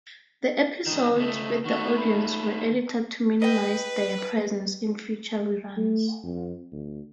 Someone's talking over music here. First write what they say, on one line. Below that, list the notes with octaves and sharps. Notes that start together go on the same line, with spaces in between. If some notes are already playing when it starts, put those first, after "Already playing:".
The episodes with the audience were edited to minimize their presence in future reruns.
B1 D#3 D#5
C#2 A3
D#3 A3 F#4
B5
B4 D#5 G5
A3
F2
D2